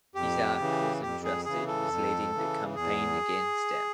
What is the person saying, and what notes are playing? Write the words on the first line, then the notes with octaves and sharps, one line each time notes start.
Isaac was entrusted with leading the campaign against them.
F2 G4
C#3 E3
F2 G4
G#4
C#3 E3 G#4
A4
F2
C#3 E3
E2 G#4